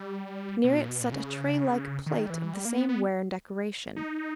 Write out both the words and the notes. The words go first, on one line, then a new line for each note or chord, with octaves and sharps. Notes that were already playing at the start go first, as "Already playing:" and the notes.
Near it set a tray-like plate of the same ware and decoration.
Already playing: G3
B2
A#2
B2
A#2
C#3
D#3
G3
E3
G3
A#3
B3
B3
D#4